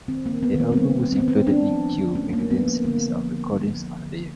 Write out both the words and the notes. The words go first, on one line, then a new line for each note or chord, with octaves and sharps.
The album was included in "Q" magazine's list of recordings of the year.
D#3 C4
A#3
D#3
B3
D#3
A#3
C4
G3 B3
A#3
C4
B3
D#3 C4
A3 D4
F3
D3
A3 C#4
A#3
A3
B3
F3
A#3
D3 A#3
F3
D3
D3
F3
D3